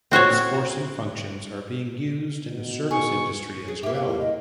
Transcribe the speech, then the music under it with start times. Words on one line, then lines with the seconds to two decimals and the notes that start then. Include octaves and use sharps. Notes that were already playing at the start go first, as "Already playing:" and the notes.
These forcing functions are being used in the service industry as well.
0.12 C4 F#4 C5 C#5
2.50 B2
2.91 D#4 G#4 G#5 C#6
3.68 G#4
3.83 A#3 G4 E5
3.95 F5
4.08 E4
4.20 D#5